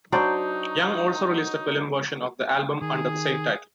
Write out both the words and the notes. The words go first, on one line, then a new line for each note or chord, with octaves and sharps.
Young also released a film version of the album under the same title.
F#3 D4 D#4 C5 D5
D#3 G#4